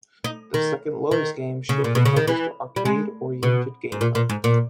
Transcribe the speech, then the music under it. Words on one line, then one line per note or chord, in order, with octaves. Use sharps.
The second Lotus game shifted focus to arcade-oriented gameplay.
D#4
D#3
D#3
C#3
A#2
B2
C#3
D#3
E3
G3
G#3
B2
G#2
A#2
A#2
G#2
A#2